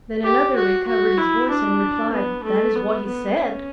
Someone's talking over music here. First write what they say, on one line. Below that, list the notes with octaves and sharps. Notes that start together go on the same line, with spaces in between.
Then another recovered his voice, and replied, "That is what he said."
G4
F#4
F#4
E4
D4
B3
A3
B3
B3
C#4